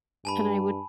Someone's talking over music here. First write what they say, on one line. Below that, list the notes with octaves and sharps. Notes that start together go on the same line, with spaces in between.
and I would
G2 G#5 A5 B5